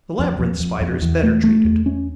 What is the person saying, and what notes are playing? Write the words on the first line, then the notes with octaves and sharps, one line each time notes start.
The Labyrinth Spider is better treated.
F2
F2
F2
F2
E2
A3
A3
E2
C#4